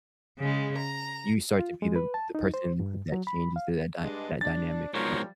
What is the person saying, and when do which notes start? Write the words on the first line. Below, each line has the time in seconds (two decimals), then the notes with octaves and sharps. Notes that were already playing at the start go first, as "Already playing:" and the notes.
you start to be the the person that changes that dy that dynamic, but,
0.39 C#3 G#3
0.77 A#5
1.59 F4
1.82 G#3
1.96 B4
2.14 A5
2.35 D#4
2.54 C5
2.80 G2
3.12 F#3
3.27 B5
3.56 F5
4.02 G2 G#3 D4
4.41 D4 A6
4.94 G#2 B2 F3 G3 A#4 C5 C#5